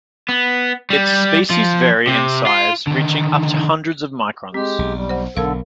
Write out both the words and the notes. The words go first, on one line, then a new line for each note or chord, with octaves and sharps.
Its species vary in size reaching up to hundreds of microns.
B3
G3
F3
C3
F4
D3 D#3
G#3 C4 G4
B1
G3
C5 F#5
B1 D3 A4 A#4 F5